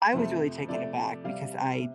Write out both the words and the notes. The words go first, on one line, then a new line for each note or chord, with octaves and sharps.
I was really taken aback, because I
F2 C3 F3 A3 C5
C3 F3 A3 D5
C3 G3 F5
C3